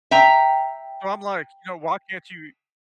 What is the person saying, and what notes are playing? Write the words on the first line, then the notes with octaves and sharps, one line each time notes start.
So I'm like, you know, why can't you
E5 G5 A#5